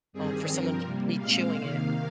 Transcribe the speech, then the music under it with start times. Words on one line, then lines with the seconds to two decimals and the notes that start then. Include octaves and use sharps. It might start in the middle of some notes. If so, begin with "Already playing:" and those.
um, for someone to be chewing it.
0.13 G2 D#3 G3 C4 G#4
0.48 G2 F3 C4 A#4
0.83 C3 G3 A#3
1.17 A#2 G#3 C4 F5
1.51 C3 D#3 A#3 F5